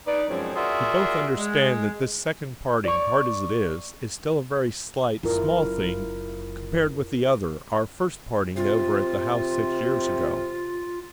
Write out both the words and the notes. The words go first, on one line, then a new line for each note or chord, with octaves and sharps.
We both understand that this second parting, hard as it is, is still a very slight, small thing compared with the other, our first parting over at the house six years ago.
D#4 B4 D5
F#2 F3 G#3 C4 C#5
F4 F#4 G#4 A#4 D5 E5
G#3
D5 C#6
F#1 E4 F4 A#4
C3 F4